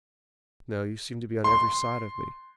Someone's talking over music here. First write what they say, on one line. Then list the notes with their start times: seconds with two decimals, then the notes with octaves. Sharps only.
"No; you seem to be on every side of me."
1.44 C6